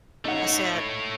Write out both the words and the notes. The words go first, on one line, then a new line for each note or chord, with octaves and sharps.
I said,
A3 D#4 C#5 F#5